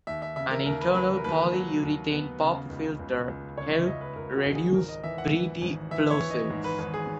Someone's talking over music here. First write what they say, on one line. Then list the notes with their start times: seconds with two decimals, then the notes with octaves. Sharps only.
An internal polyurethane pop filter helped reduce breathy plosives.
0.07 D#2 E5
0.22 E5
0.36 C#3 E5
0.51 A#4
0.65 D#2 A#4
0.81 B4
0.95 F#3 B4
1.16 A#4
1.24 D#2 B4
1.53 F#3
1.82 D#2
2.12 B3
2.41 C#3
2.70 C#2
3.00 C#2
3.28 C#2
3.58 C#3 C#5
3.73 E5
3.87 C#2 D#5
4.01 B4
4.16 C#2 A#4
4.36 F#4
4.45 C#2
4.55 G#4
4.74 G#1 A#4
4.89 D#5
5.04 E3 E5
5.18 F#5
5.33 E3
5.62 G#1
5.91 E3 E5
6.10 C#5
6.20 E3
6.30 D#5
6.50 G#2
6.64 B4
6.79 G#1 B4
6.94 G#4